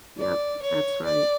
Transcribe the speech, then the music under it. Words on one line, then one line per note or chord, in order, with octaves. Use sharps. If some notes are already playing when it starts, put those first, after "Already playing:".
Yep, that's right.
D5
C#5
D5